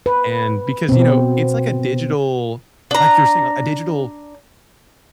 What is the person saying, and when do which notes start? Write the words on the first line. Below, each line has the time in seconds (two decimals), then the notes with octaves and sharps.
and because, you know, it's like a digital, like you were saying, a digital
0.06 B4
0.89 B2 C4
2.91 D4 A#5